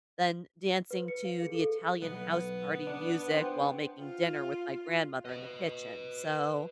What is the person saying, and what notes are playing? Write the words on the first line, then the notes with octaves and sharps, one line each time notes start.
then dancing to the Italian house party music while making dinner with my grandmother in the kitchen, so,
B4
C#7
F5
G#4
A4
B1 B3
D4
C5 G5
F4
B4 D#5